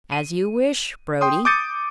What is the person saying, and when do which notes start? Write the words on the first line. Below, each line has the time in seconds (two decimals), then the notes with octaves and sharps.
"As you wish, Brodie."
0.12 D#7
1.21 G5 C6 D#6
1.45 D6 D#6 G6 A6 C#7 D#7